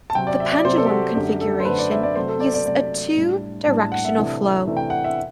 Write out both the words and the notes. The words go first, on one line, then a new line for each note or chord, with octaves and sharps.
The pendulum configuration uses a two-directional flow.
A5
C3 F#3 C4 G5
D5
E5
D5
C3 F#3 C4 C5
A4
G4
F#4
F#2 D3 A3 D4 G4
A4
C5
F#2 D3 A3 D4 B4
D5
E5
D5
C3 F#3 A3 C5
A4
D5
D5
C3 F#3 A3 D5
A2 G3 D4
A2 G3 D4 A5
A5
F#5
E5
C3 E3 A3 D4
C3 E3 A3 D4
G5
F#5
E5